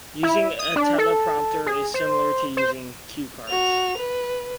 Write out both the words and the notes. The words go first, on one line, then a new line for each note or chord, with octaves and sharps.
Using a teleprompter is similar to using cue cards.
E4
D#6
D4
A4
G#4
C5
C5
F#4 F7
B4